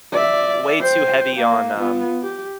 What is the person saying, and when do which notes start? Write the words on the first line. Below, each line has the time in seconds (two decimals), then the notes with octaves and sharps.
way too heavy on, um,
0.12 D5 E5
0.81 C5 G5
1.37 A#3
1.78 B3 F4
2.22 G4